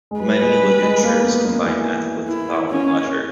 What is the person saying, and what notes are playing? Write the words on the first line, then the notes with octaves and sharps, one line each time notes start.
Many ligatures combine f with the following letter.
G#3
G3 B4
G#3
G3
G#3
A#3
B3
A#3
E3
E4
C#4